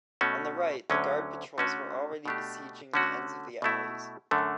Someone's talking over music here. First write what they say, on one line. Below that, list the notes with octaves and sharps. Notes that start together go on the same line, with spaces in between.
On the right, the guard patrols were already besieging the ends of the alleys.
B2 A3 C#4 F#4
D2 D3 F#3 C#4
D3 A3 C#4 F#4
B2 A3 D4 G4
D3 A3 C#4 F#4
B2 A3 E4
F#2 D3 A3